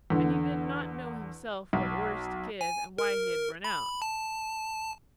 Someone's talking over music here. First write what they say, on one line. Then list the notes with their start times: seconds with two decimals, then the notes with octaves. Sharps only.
And he did not know himself what orders to give and why he had run out.
0.10 E2 D3
1.73 B1
2.61 G#5
2.98 A#4
3.64 B5
4.02 A5